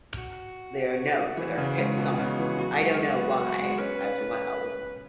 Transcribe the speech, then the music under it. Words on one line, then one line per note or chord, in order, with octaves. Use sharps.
They are known for their hit song "I Don't Know Why" as well.
F#4
E3
C#3
G#2
B2
B2
C#3
E3
F#3 F#4
G#3
G#3
B3
B3
G#3
C#4 B4